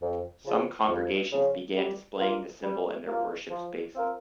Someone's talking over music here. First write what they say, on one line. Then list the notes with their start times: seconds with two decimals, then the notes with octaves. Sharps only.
Some congregations began displaying the symbol in their worship spaces.
0.02 F2
0.45 C#3 F3
0.89 F2
1.32 C#3 F3
1.77 G3
2.20 A#3 F4
2.63 G3
3.07 A#3 F4
3.50 F3
3.95 C4 F4 A#4